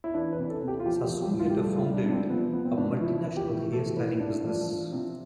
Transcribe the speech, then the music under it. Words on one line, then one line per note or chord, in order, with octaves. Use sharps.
Sassoon later founded a multinational hair styling business.
E4
E3 D4
B4
C3
A4
C3
G4
F4
F3 G4
G4
F3
G4
A2
F4
G4
G3 A4
F4
G3
D4
C3 D4
C4
F3 B3
F3 B3
C4
C3 D4
F3 E4
F3
G4
A2
E3 A4
A2 B4
A2 D4
F3 D4
F3
C3